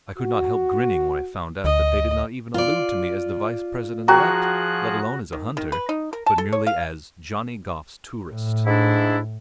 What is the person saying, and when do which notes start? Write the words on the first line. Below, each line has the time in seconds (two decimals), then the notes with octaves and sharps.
I could not help grinning when I found out that they did not even allude to me as the Vice-President-elect, let alone as a hunter, but merely as "Johnny Goff's tourist."
0.18 F#4
1.64 D2 D#5
2.54 F4 D5
4.08 F3 F#4 G#4 G5 A#5 F#6
5.33 D#3
5.57 D#3
5.72 B4
5.89 D#4
6.13 A#4
6.26 A5
6.38 A4
6.52 C#5
6.67 F5
8.31 A2
8.66 G#2 D4 E4